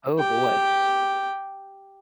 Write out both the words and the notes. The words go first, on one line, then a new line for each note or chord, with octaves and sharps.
Oh boy.
G4 G5